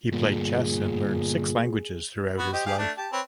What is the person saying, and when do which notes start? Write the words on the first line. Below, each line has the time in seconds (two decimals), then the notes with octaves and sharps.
He played chess and learned six languages throughout his life.
0.12 D2 G2 A#2 G#4
2.38 B3 F#4 B5
2.53 G4 C5 D#5
2.66 G4 G#4 F5
2.78 A3 D4
2.98 G4 A5
3.13 C4 B4 C#5